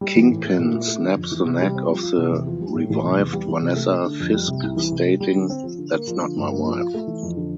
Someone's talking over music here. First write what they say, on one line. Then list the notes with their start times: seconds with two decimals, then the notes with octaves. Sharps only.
Kingpin snaps the neck of the revived Vanessa Fisk stating, That's not my wife.
0.01 G3
0.16 E3
0.31 A2
0.44 A3
0.59 A#2
0.74 E4
0.87 A3
1.02 D3
1.17 F2
1.32 E3
1.45 C3
1.61 G3
1.75 C4
1.89 F3
2.03 F4
2.18 C3
2.32 E2
2.47 F3
2.61 G3
2.75 A2
2.90 A1
3.05 C3
3.19 E2
3.33 G3
3.48 E3
3.62 C3
3.76 A3
3.91 A3
4.05 D3
4.20 F2
4.34 G3
4.48 C3
4.63 C2
4.77 E3
4.92 C3
5.06 G3
5.20 G3
5.35 D3
5.50 C4
5.64 F3
5.78 D3
5.93 A#3
6.07 F3
6.21 D3
6.36 G2
6.50 A#3
6.65 F3
6.79 F4
6.94 A3
7.07 E3
7.23 F2
7.37 D3